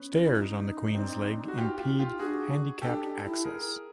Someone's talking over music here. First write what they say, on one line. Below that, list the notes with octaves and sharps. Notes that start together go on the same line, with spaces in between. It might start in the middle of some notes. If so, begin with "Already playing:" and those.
Stairs on the Queens leg impede handicapped access.
Already playing: B3 C#4
F4
E4
D#4
C4 D4
F#4
F4 G4
F4 G4
F4 G4
D4 F#4 G#4
D4 G4 A4
D#4
D#4
E4
G#4 A#4